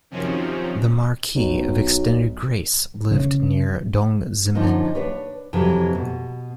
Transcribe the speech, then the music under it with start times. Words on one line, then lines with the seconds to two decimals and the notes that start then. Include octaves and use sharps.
The Marquis of Extended Grace lived near Dongzhimen.
0.11 F#2 C3 D#3 F3 C4 C#4
1.35 B1
3.11 C#3
4.55 F#2 D3 F3 C#4 D#4
4.95 D4 B4 C#5
5.53 F2 C3 E3 F#3
5.95 B2